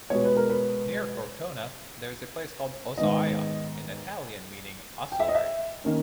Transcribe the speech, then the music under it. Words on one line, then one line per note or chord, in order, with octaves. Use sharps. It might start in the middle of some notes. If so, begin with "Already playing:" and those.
Near Cortona, there is a place called 'Ossaia', in Italian meaning ossuary.
B2 G#3 B3 C#5
B4
A#4
B4
G#2 D#3 G#3 B3 D#5
G5
E5
D#5
E5
D#3 A#3 C#4